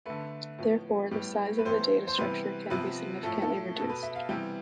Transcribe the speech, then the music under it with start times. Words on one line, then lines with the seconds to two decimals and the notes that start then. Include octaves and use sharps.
Therefore, the size of the data structure can be significantly reduced.
0.06 D3 A3 B4
0.58 A2 F3 B3
1.11 A2 G3 B3
1.59 B4
1.65 A2 E3 B3 C5
2.07 C5
2.18 C3 E3 G3 B3 B4
2.70 C3 F3 B3 B4
3.23 A2 F3 A3 A4
3.42 A4
3.76 B2 B3 A4
3.90 B4
4.03 E5
4.16 F5
4.29 C3 E3 G3 B3 G5